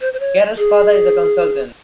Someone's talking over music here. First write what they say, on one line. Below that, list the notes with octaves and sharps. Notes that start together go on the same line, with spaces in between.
Cara's father is a consultant.
C5
C5
C#5
G#4